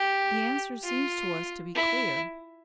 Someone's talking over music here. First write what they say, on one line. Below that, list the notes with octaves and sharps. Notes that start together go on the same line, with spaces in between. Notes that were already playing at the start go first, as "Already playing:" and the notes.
The answer seems to us to be clear.
Already playing: G4
F4
E4